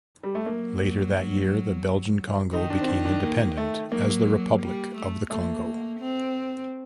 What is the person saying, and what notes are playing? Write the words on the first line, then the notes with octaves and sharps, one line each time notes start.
Later that year the Belgian Congo became independent as the Republic of the Congo.
G3
A3
F#3 A#3
D#3 D#4
D4
C4
D4
D4
A#3
A3
F#3 A#3
G3
A3
A3 A#3
C4